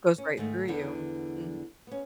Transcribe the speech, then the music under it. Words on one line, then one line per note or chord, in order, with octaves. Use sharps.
Goes right through you, mhm.
C#4
G#2 D#3 A3
E2 D3 B3
B3 C#4